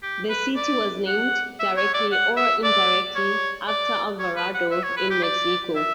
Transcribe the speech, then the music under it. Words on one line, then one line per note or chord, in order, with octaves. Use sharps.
The city was named, directly or indirectly, after Alvarado, in Mexico.
G4
B4
D5
F#5
E5
C#5
D5
F#5
E5
D5
C#5
D5
C#5
B4
F#5
E5
C#5
B4
G4
D5
E5